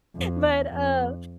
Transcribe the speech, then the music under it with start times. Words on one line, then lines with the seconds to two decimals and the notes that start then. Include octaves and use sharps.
but, uh
0.16 F2
0.45 E2
0.73 F2